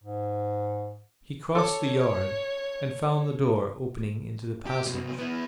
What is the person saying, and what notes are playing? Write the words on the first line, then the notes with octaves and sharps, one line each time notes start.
He crossed the yard and found the door opening into the passage.
G#2
A4 C#5 D6
G4
C2 B2
B3 E4